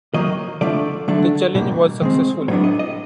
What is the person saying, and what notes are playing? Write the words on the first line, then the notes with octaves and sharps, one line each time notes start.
The challenge was successful.
D#3 F#3 A#3 D#5
D3 F3 A3 D4 D5
D3 F#3 A3 D4
B2 G3 A#3
D#3 G#3 C4
A2 F#3 B3 D4 C#5
D#5
D#5